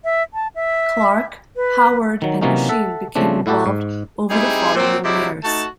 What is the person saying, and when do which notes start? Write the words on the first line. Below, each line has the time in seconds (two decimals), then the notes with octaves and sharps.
Clark, Howard and Machine became involved over the following years.
0.04 E5
0.34 A5
0.55 E5
1.56 B4
2.22 D#3 F#3
2.41 C3 E3 F#3 A#3 C#4 D#4
2.69 A4 E5 F#5
3.15 C#3 F3 A3 C4 D4
3.46 A2 E4 F#4 G4 A4
3.66 G#2
4.30 G3 C4 D#4 E4 G#4
4.75 A#2 F#3 C4
5.05 C3 F#3 G#3 D4 E4
5.44 A3 D#4 F#4 A5